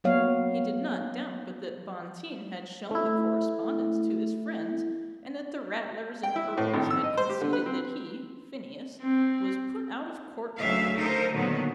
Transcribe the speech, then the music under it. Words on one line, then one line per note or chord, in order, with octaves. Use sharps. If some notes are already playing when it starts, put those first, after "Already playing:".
He did not doubt but that Bonteen had shown the correspondence to his friends, and that the Ratlers and Erles had conceded that he, Phineas, was put out of court by it.
F#3 A#3 B3 C#5 F5
A3 E4
G5
E4
A2
G#1
E6
D#5
C5
G4
D3
B4
C4
C4
D2 C#3 F#3 E5 F5
D#4 A4 A#4 C5
A#2 D3 D#3 F#3 B3